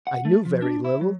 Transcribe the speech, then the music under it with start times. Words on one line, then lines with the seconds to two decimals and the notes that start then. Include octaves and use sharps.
I knew very little.
0.07 F#5
0.25 A3
0.45 F3
0.62 D4
0.85 E4
1.01 F#3